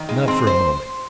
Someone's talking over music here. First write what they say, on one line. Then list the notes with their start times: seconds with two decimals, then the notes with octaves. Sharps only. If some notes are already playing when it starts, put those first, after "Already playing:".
Not for a moment!
Already playing: D#3
0.09 G#3
0.28 C4 C6
0.47 C5